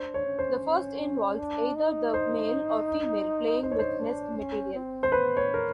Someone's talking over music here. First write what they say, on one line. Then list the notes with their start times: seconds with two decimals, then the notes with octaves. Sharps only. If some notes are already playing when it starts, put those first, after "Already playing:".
The first involves either the male or female playing with nest-material.
Already playing: D4 C5
0.14 C#5
0.26 C#4
0.39 C5
1.38 D4
1.76 D#4
2.14 C5
3.62 D#4 C5
3.72 C#5
3.79 C5
3.99 D4
4.37 C#4
4.74 C4
5.03 C5
5.12 B3 B4
5.37 C#5
5.54 A#4